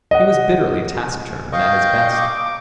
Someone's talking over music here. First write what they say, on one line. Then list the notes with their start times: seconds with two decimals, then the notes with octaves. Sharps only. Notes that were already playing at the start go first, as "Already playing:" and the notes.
He was bitterly taciturn when at his best.
0.11 D#5 F#5
1.53 D#5 F5 G5 C#6
2.14 D6